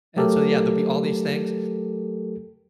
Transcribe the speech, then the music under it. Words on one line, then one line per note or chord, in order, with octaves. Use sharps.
And so yeah, there'll be all these things,
F#3 A3 G4 A4 A#4